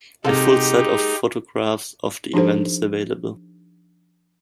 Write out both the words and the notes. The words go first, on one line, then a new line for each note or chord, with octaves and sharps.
A full set of photographs of the event is available.
C3 G#3 A#3 D#4 F#4 G4 A4
F3 D4 D#4 G4 A4 C5